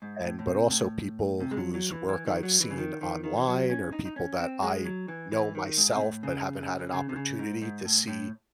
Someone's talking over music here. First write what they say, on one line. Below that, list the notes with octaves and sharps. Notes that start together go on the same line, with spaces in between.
and but, also, people whose work I've seen online or people that I know myself, but haven't had an opportunity to see
G#2
A2
A2
C3
A2
C3
G#3
F#3
F#3
E3
E3
D#3
F#3
E3
C#3
D#3
D#3
D#3
E3
F#3
C#4
D#4
D#4
C#4
C4
G#3
F#3
E3
E3
D#3
G#2
C3
A2
C#3
C#3
C3
C#3
G#2
G#2
A2
A2